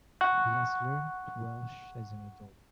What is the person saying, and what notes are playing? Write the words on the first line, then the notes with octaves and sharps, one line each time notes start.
He has learnt Welsh as an adult.
F#5 C#6 F#6